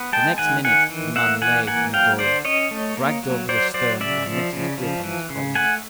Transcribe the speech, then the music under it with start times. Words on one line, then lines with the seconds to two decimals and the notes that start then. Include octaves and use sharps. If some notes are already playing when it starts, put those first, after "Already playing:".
The next minute the man lay in the dory, dragged over the stern by Netty's grip on his collar.
Already playing: B3
0.13 G#3 G5 A5
0.38 D#3 F#5 G#5
0.64 D#3 F#5 G#5
0.90 E3
1.16 A#3 E5 F#5
1.42 E3 F#5 G#5
1.67 A#3 F#5 G#5
1.94 F#3 F5 G5
2.19 D3 C5 D5
2.45 C#4 C#5 D#5
2.71 A3
2.97 A#3
3.23 F#3
3.49 F#3 C5 D5
3.74 F#3 C5 D5
4.00 C#3 D5 E5
4.26 F3
4.53 C#3
4.77 F3
5.04 E3
5.30 C#3
5.55 A3 F#5 G#5